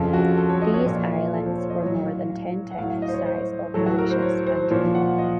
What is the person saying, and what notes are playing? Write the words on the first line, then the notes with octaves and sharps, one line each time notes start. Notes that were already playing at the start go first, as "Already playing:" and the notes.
These islands were more than ten times the size of Mauritius and Reunion.
Already playing: F2 C#3 F3 A4
F#4
A4
C#5
D#5
C#5
A#2 F3
A4
C5
C#5
D#5
A2 F#3 C#5
F5
F5
F#5
A2 F#3 F5
F5
D#5
C5
C#5
C5
A2 F#3 A4
F#4
A#4
C5
C#5
C5
A#2 F3 C#5
F#5
D#5